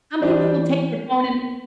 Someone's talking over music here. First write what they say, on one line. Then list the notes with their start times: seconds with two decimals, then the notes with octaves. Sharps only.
Some people will take their phone and
0.22 E3 G3 D4 G4 C5